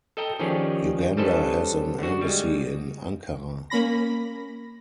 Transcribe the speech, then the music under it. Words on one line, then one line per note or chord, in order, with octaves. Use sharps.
Uganda has an embassy in Ankara.
A4 D#5 G5 A#5
D#3 F3 C#4 G4 G#4 D5
G3 C#4 A4 B4 C5 D#5
D3 F#4
G3 G#3
A#3 C#4 B5 A#6